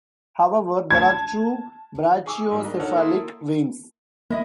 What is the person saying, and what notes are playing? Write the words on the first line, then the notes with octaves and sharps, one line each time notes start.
However, there are two brachiocephalic veins.
A5 G#6
G#4 G#5 C#6 D6 E6
G#2 G3 A#3
D4 D#5 A#5
D#4 A4 A#4 C#5 F#5
A#3 E4 A4 C6 D#6
A#3 E4 D#5 D#6